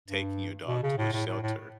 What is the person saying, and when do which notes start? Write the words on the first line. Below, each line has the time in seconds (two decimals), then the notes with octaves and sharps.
taking your dog to a shelter
0.08 G2
0.68 B2
0.83 C#3
0.98 A2
1.13 A2
1.27 A2
1.43 A2